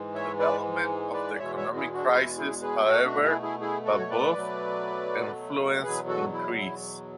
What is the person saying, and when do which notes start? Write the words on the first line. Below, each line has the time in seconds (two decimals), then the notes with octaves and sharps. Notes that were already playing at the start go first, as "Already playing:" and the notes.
With the development of the economic crisis, however, Babeuf's influence increased.
Already playing: G#2 E3 G#3
0.15 C#5 E5
0.39 B4 D5
1.13 B4 D5
1.34 D5
1.38 E2 B2 G#3 C#5 E5
1.57 C#5 E5
1.75 E4 G#4
1.94 D4 F#4
2.13 E4
2.37 E4 G#4
2.62 G#4 B4
2.87 B2 A3 F#4 A4
3.05 D4 F#4
3.24 E4 G#4
3.42 E4 G#4
3.61 E4 G#4
3.85 F#4 A4
3.99 C#5
4.10 B4 D5
4.35 B2 F#3 A3
5.83 E2 B2 F#3 G#4 B4
6.08 F#4 A4
6.33 E4
6.58 E4